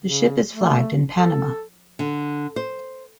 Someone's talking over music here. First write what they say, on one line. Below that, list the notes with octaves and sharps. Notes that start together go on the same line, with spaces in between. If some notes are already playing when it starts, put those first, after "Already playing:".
The ship is flagged in Panama.
C#3
A3
A4
D3
C5